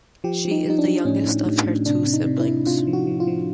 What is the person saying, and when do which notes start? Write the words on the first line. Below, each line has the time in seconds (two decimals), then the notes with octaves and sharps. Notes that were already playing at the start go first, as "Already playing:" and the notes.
She is the youngest of her two siblings.
0.24 F3 G4
0.45 F3
0.51 D#4
0.65 F3 D#4
0.79 D4
0.85 F3
1.05 A2 C#4
1.25 A2
1.46 A2
1.66 A2
1.86 C3 D4
2.06 C3
2.13 D#4
2.26 C3
2.40 E4
2.46 C3
2.67 C3 F4
2.87 F3
2.93 F#4
3.07 F3
3.20 F4
3.27 F3